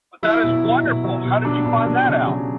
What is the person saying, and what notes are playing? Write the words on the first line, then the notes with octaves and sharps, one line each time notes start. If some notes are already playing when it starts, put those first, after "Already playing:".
But that is wonderful! How did you find that out?
F#3 E4
B2
F#3
B2
F#3
B2
F#3 D4
B2 D4
F#3
C#3
F#3